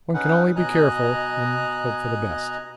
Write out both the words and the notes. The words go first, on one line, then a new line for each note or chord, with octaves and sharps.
One can only be careful and hope for the best.'
C#4 D#4 B4 F#5
B2 D#5 G#5 A#5 F#6